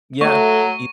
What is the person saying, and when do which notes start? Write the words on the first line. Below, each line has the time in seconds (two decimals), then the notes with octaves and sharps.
Yeah, you
0.21 F#3 A3 C#6